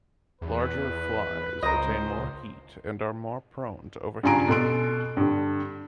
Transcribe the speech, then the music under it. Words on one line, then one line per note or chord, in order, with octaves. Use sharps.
Larger flies retain more heat and are more prone to overheating.
E2 B4
C#2 A#4 C5 D#5
G2 C#3 F4 G#5 A#5 D7
B2 A4 C6 D7
G2 D3